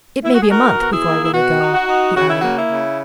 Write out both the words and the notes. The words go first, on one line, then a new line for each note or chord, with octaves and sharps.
"It may be a month before I really go," he added.
E4
F#4
G#4
D#4 F#4 A#4
B2
F#4
E4 G#4
A#3
E4
B2 F#4
D#4
F#4
D#4
C#3 F#4
E4
A#3 F#4
E4
C#3